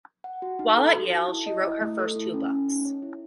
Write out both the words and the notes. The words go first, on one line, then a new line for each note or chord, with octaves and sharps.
While at Yale she wrote her first two books.
F#5
F#4
D#4
A4
F#4
A5
E4
D#5
E4
A3
A4
E4
C#4
C#4
D#4
C#5
E4